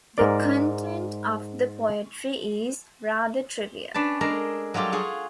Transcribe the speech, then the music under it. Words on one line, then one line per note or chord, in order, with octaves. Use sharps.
The content of the poetry is rather trivial.
G#2 A#4 D5
C#4 D4 B4 A5
G#3 D4 A4 A#4 A#5
F#3 G3 F4 G4 A4
F4 F#4 G#4 C#5